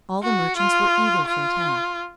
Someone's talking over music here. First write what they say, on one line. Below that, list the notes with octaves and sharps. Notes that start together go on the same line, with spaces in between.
All the merchants were eager for attack.
F#4
F4
F4